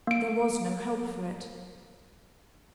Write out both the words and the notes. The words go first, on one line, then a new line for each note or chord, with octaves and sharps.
There was no help for it.
A#3 D7